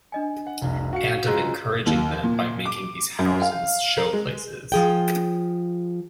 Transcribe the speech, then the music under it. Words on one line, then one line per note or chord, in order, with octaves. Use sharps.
And of encouraging them by making these houses show-places.
D4 D#5 G#5
F#5
F1 C2
F#4 F5 C#7
C#3 F3 G#3 A#5 E6 F#6
D#2
A#2
D6
F#2
F5
A#4
G#3
F3 G#4 G5